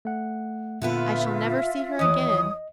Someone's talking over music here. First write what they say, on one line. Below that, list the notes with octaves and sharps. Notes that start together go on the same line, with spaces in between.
I shall never see her again....
A3 F#5
A#2 D3 B3 F4 B4 E5
D#2 E3 C#5 D#5 D#6